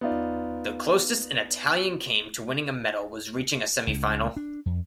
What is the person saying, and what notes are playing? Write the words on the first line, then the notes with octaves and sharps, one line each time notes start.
The closest an Italian came to winning a medal was reaching a semifinal.
B3 D#4 F4 D5
C#2
D4
F2